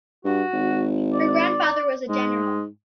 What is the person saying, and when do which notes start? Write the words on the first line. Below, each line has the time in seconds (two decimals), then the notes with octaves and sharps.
Her grandfather was a general.
0.25 G2 F#4
0.53 G#1
1.13 D5
2.09 G#2 G#3